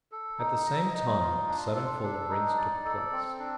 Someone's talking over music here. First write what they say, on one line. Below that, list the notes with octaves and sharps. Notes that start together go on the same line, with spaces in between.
At the same time a sudden fall of rents took place.
A4
D#4
D#5
D#4
F4
D4
A4
D4
D#4
D5
A4
C4
D4